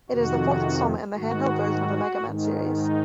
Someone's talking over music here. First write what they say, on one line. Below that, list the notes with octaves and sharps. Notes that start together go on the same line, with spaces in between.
It is the fourth installment in the handheld version of the "Mega Man" series.
F2 C3 D#3 F#4
G#2 D#3 F#4
G#2 D#3
D#4